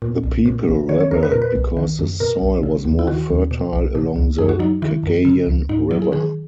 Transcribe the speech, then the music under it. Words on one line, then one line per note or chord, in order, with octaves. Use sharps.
The people rebelled because the soil was more fertile along the Cagayan River.
A#2
B1
A#2
A#1
D#3 C#5
C#5
E2 A#4
B4
A#2 A#4
B4
B1
D#3
F#2
B2 A#4
B1
C#3
D#2
E4
D#3 F#4
D#2
B2
B1
B2
C#2
F#2 G#4
F#4
F#3 D#4
D#3 E4
F#2
C#3
C#2
G#2 D#4
F#3 E4
G#4
D#3 G#4